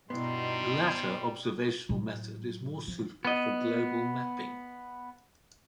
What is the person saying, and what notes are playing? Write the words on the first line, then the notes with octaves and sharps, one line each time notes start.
The latter observational method is more suitable for global mapping.
G2 B2 G3 B3 D#4 E4 C6
A2 F#3
F3
B3 D#5